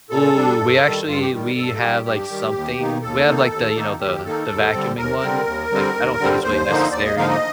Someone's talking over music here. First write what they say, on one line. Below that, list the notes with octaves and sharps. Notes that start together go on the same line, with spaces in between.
Ooh, we actually we have, like, something we have like the, you know, the the vacuuming one, like I don't think it's really necessary
A#2 A4
G3 D4
G2
D#3 G3
G2 F4
G4
D#3 G3
G2 A4
D#3 G3 G4
G2 G4
D#3 G3
D#2
D#3 A#3 D#4
D#2 A4
D#3 A#3 D#4
D#2
D#3 A#3 D#4
D#2 G4
D#3 A#3 D#4 A4
D#2
D3 G3 C4
D#2 A#4
D3 G3 C4
D#2
D3 G3 C4
D#2
D3 G3 C4
D#2 C5
D3 F3 A#3 D#4
D#2 D5
D#5
D3 F3 A#3 D#4 F5
D#5